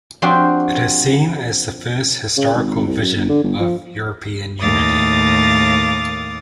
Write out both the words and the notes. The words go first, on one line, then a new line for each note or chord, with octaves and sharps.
It is seen as the first historical vision of European unity.
F3 C4 D4 F#4 G4
C#3
G#1
G#1
C2
F#2
G1
D3
G1
F3
D#2 A2 F5 D6 D#6 A6